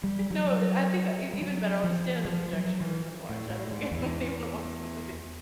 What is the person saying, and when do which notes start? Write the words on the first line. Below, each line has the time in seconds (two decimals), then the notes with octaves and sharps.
No, i "I think e even better, I'll just stand in the projection room and watch," I don't think anyone even wants me in the
0.04 G3
0.31 F#3
1.33 G3
1.42 F#3
1.84 F3
2.25 F3
2.53 F#3
2.81 E3
3.29 A2
3.50 A2
3.71 G#2
3.92 E2